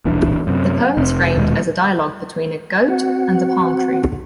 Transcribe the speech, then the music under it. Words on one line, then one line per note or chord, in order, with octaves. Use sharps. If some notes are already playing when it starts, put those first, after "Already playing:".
The poem is framed as a dialogue between a goat and a palm tree.
D#1 B1 E3 D4
F#2 C3
F1 C3
D#1 D#2 B2 G#3
C4 F#4 F#5